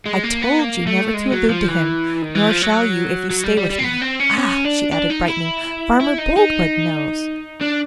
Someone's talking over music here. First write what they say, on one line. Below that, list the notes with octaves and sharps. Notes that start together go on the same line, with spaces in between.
"I told you never to allude to him, nor shall you if you stay with me. Ah!" she added, brightening, "Farmer Boldwood knows!"
G#3
A#3
B3
A#3
A3
G#3
F#3
F3
E3
D#3
E3
F3
F#3
F#3
G3
G3
G3
C4
B3
C4
C#4
C#4
D4
D4
D#4
E4
E4
D#4
D#4
D4